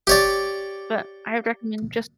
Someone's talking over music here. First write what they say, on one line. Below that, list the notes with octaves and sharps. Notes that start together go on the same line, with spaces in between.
But I would recommend just
G4 C#5 D5